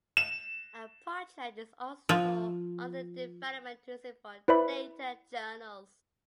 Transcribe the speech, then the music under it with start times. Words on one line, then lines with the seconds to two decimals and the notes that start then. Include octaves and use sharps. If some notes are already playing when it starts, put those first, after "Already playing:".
A project is also under development to use it for "Data Journals".
0.17 E7
2.09 F3
4.48 E4 B4 C5 D5 E5 B5